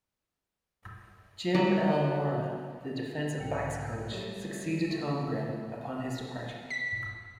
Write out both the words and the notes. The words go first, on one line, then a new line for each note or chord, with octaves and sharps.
Jim L. Mora, the defensive backs coach, succeeded Holmgren upon his departure.
F#3
B1 G#2 G5 C#7
F#3 G3 A3
D3 A3 F4
B6